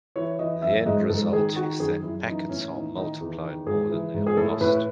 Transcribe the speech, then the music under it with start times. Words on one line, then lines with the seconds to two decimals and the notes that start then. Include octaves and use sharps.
The end result is that packets are multiplied more than they are lost.
0.16 E3 C#5
0.39 E3 D#5
0.62 F#2 E5
0.86 G#2 D#5
1.09 G#2 A4
1.33 D#3 G#4
1.56 D#3 F#4
1.79 F#2 G#4
2.04 F#2 E4
2.27 E3 D#4
2.49 A2 C#4
2.73 E3 D#4
2.96 D#3 D#4
3.20 E2
3.44 D#3
3.66 G#2 G#4
3.90 E3
4.14 G#2
4.27 G#4
4.37 A2 A4
4.61 A2 B4